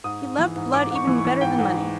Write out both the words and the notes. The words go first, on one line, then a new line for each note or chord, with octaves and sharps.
He loved blood even better than money.
G#2 D#6
G#2
E3
G#2
G#2 D6
G#2 C#6
E3
C#6
E3
G#2 G5
G#2